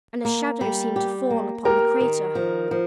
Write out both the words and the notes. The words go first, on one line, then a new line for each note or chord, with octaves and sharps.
And a shadow seemed to fall upon the crater.
A#3
G3
G4
A#3
G4 A#4
D#3
F3
F3